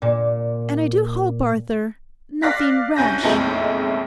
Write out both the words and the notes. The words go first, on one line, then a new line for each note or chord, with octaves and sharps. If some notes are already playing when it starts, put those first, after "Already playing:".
'And I do hope Arthur--nothing rash!'
A#2
D5 F5 F#6 A#6 B6
C2 C#4 D4 G#5 G6 A#6
F#1 B1 F2 G#3 A3 E4